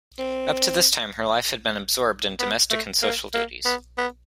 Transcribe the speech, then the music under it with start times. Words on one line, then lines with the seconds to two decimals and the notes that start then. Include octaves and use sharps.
Up to this time, her life had been absorbed in domestic and social duties.
0.19 C4
2.39 B3
2.70 A3
3.02 A#3
3.34 A#3
3.65 B3
3.97 B3